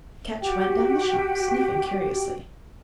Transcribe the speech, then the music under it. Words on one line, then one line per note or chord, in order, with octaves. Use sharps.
Ketch went down the shop, sniffing curiously.
F#4 G4 G5